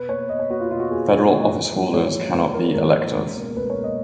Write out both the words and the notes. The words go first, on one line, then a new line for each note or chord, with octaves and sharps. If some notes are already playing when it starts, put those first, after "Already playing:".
Federal office holders cannot be electors.
Already playing: B2 B4
A#3 C#5
B2 D#5
C#5
A#3 F#4
F4
B2 F4
F#4
A#3 G#4
B2
A#3
G#2
F3 A#3
G#2 C#5
F3 A#3
G#2 B4
F3 A#3 A#4
G#2 A#4
F3 A#3
C#2
B2 A#3
C#2 B4
C#5
B2 A#3
D#5